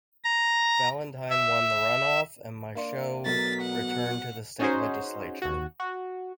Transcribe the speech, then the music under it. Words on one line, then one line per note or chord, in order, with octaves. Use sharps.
Valentine won the runoff, and Michaux returned to the state legislature.
A#5
E5
A#3 D4 C6
B2 F#3 A3 A#4 A6 B6
F#5
C#4 D#4 F#4 G#4 C5
D#2 F#4
F#4